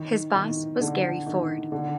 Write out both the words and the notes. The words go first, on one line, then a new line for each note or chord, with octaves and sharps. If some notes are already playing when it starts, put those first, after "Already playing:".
His boss was Gary Ford.
Already playing: D#3
D#3
D3
D#3
D3